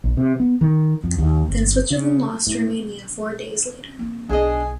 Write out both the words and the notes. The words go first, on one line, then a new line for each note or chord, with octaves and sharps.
Then Switzerland lost to Romania four days later.
A#1
C3
B3
D#3
F2
D#2
G1
C#3
A2
A#3 C4
B1 D4 G#4 D#5